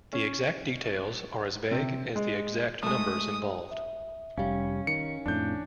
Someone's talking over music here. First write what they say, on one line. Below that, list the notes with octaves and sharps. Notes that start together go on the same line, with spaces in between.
The exact details are as vague as the exact numbers involved.
C#4
C3
G#3
G#3 A3 D#6
E5
F1 G3 C#4 F5
D#3 C#7
F2 A2 D4 G6